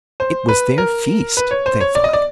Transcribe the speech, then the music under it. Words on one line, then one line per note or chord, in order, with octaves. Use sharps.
It was their feast, they thought.
C5
B4
A#4
B4
C#5
C5
C#5
D5
D#5
D5